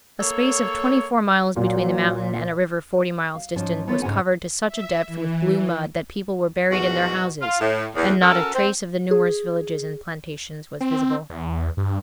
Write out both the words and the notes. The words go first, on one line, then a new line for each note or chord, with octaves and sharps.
A space of twenty-four miles between the mountain and a river forty miles distant was covered to such a depth with blue mud, that people were buried in their houses, and not a trace of the numerous villages and plantations was visible.
A#3 A4 C#5
A#2 F#3
F5
G#2 F3 C#4
A3 B3 D#4 F4 B4 C#5
G#2 C#3 G#3 C#4 F#5 G#5
E5
E3
E2 G#2 B2 F#4
F4
A2
E2
C#4 F#4 A4 A#4
C4
G#4
C4
E2
G2